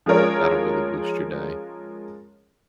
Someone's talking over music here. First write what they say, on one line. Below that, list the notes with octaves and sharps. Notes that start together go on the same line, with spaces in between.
That'll really boost your day.
F3 G#3 C#4 F4 A#4 C#5